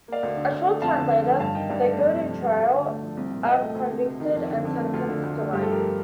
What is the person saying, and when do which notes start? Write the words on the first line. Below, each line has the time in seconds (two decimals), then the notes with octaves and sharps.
A short time later, they go to trial, are convicted, and sentenced to life.
0.08 A#3 D5 F5
0.23 D2
0.37 D3
0.52 D2
0.66 A3
0.81 F2 F5 A5
0.96 D3
1.10 A3
1.25 F3
1.40 G2 F5 A5
1.55 D#3 D#5 G5
1.70 G2 D5 F5
1.84 A3
1.99 F2
2.14 C3
2.28 F2
2.43 G3
2.58 D2
2.73 D3
2.87 A3
3.02 F3
3.17 C2
3.32 A#2
3.46 C2 D#5 G5
3.62 A3
3.75 D2
3.90 C3
4.05 D2
4.20 D#3
4.34 F2
4.50 D3
4.65 F2
4.79 A3
4.94 D2 F4
5.09 D3
5.23 D2
5.39 A3
5.53 G2 G4
5.62 F4 A4
5.67 F3 G4 A#4